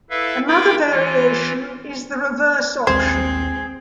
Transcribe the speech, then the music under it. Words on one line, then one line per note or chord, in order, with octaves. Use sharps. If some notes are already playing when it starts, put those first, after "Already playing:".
Another variation is the "reverse option".
E4 A4 B4 E5 F5
E4 F4 A#4 G5 B5 D6
E3 F4
A#1 D#2 G#3 C4 G#4 C5